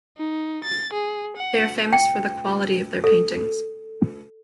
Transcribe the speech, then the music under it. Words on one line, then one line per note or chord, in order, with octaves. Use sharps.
They are famous for the quality of their paintings.
D#4
A6
G#4
F#5
G5
A4